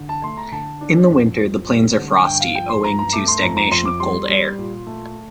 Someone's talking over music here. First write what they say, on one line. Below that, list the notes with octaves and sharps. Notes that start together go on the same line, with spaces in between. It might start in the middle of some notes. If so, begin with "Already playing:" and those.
In the winter the plains are frosty owing to stagnation of cold air.
Already playing: D3
A5
A3 C6
A#5
D3 A5
D4
F2
F2
G3
D3
G2 G5
F5
F3 G5
C6
G2 A#5
A#5
A3 D6
C6
F2 A#5
A#5
F2 C6
D6
G3 C6
G3
A#2
A3